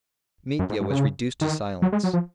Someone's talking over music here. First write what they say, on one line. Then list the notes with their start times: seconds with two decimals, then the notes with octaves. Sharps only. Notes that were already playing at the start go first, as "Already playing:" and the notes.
Mitya was reduced to silence.
0.59 F#2
0.70 G#2
0.81 G#2
0.90 C#3
1.41 D#3
1.82 F#3
1.93 G#3
2.04 F#3
2.13 F3